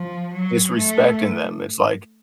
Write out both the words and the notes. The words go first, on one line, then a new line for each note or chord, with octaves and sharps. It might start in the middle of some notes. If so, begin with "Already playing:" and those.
disrespect in them, it's like,
Already playing: F3
F#3
A3